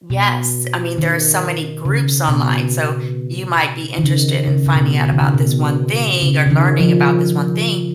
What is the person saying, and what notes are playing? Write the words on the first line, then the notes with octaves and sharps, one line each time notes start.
Yes. I mean, there are so many groups online, so, you might be interested in finding out about this one thing or learning about this one thing
B2
D#3
C#3
B2
D#3
C#3
C#3
C#3
B2
C#3
D#3
C#3
B2
C#3
C#3
D#3
F3